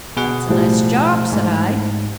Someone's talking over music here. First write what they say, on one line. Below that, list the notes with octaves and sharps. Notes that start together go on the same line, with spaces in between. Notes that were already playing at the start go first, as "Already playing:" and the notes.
"That's a nice job," said I.
B2 G#4 F#5
A2 F3 G3
G#2